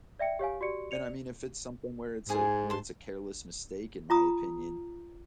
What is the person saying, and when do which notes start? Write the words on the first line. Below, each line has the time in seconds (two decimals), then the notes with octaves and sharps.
and I mean, if it's something where it's a where it's a careless mistake in my opinion,
0.19 D5 E5 G5 C#7
0.39 G4 C#5 F5 G#5
0.61 F#4 G4 D5 C#7
0.91 D5 C#7 F7
2.29 G#2 G#4 G#5 D#6
2.70 A5 C6
4.10 F4 A#5 D#6